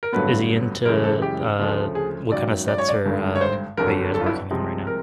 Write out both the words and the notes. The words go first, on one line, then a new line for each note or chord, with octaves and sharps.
is he into, uh, what kind of sets are, uh, are you guys working on right now?
A#4
A1 G2 D3 F#3 B3 B4
F#2 C#3 E3 G#3 A#4
A4
G4
D2 C#3 F3 A3
G#4
G#1 F#2 D#3 F#3 D5
D5
C#5
D5
G#1 G2 D3
C#5
C5
G1 F2 D3 F#3 A#4
A4
F4
E4
C2 C3 F3 G#3
A#4